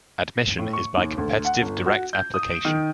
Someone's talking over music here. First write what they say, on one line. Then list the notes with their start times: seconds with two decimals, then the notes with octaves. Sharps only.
Admission is by competitive direct application.
0.59 A2
0.73 C#6
0.97 D#2
1.18 D2
1.45 F#5
1.62 G1
1.86 F#4
2.13 G6
2.34 D#6
2.51 D7
2.65 D#3